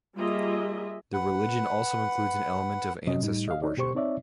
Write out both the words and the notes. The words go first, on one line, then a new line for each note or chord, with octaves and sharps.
The religion also includes an element of ancestor worship.
G3 A#3 F4 G#4 D#5 E5
B4 F#5
C3 F#3 C#4 D#5
A2 G3 D#4
D#5 F5
D#4 C#5 D5
B2 G4 C5 C#6
C4 D#4 C#5 D5 E5